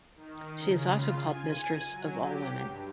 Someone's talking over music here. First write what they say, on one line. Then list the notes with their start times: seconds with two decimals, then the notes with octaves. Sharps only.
She is also called "mistress of all women".
0.16 D#3
0.58 C#3
0.91 F4
1.24 G#5
1.90 F#3
2.19 G4
2.61 G2